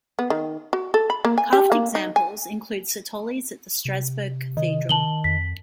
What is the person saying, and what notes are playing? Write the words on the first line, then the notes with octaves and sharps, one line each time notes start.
Carved examples include citoles at the Strasbourg Cathedral.
B3
D#3
F#4
A4
B5
A#3
G#5
G4
A#3
D#4
G#5
C3
D#3 D#5
D#3 A5 F#7 G7
F2 B6